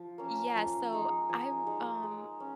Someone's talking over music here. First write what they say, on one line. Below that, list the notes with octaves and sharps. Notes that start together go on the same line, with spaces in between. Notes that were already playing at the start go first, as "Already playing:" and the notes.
Yeah, so I'm, um,
Already playing: F3
A#3 C#4
F3
G#3 D#4
F3 G#5
G#3 D#4
G#3
C#4